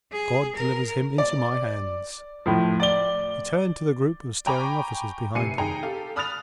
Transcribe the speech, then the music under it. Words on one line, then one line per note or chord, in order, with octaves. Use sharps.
"God delivers him into my hands!" He turned to the group of staring officers behind him.
G#4
A#4
D5
A2 F3
D5 G7
G5 G#5 A#5 B5 C#6 D6
F1 C3 G#5 C7 C#7 D#7
D#3 G#4 G5 A#5
G4 A4 F5
B5 D#6 F6 F#6 A6 F7